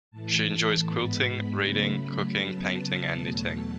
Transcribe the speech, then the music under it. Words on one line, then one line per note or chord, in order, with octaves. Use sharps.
She enjoys quilting, reading, cooking, painting, and knitting.
A2 E3 A3 A5
G#2 G#3 B3 B5
C#3 F#3 A3
C#3 F#3 B3 A5
E2 B2 F#3 A3